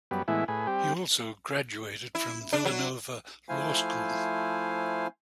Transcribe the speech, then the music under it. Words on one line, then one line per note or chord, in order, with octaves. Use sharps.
He also graduated from Villanova Law School.
F#2 G3 B3
A2 E3 G#3 B3 E4
A2 G#4 B4
G3 C4 G4
E4
D4
F#3
F3 A3 E4 C5 F5 G#5